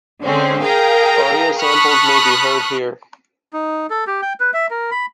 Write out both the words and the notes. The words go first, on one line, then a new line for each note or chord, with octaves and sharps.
Audio samples may be heard here.
D3 G#3 C4 C#4
G#4 A#4 F5 G5 A#5
A5 B5 C#6 D#6 F6 F#6
D#4
A4
G4
G5
B4
E5
A#4
B5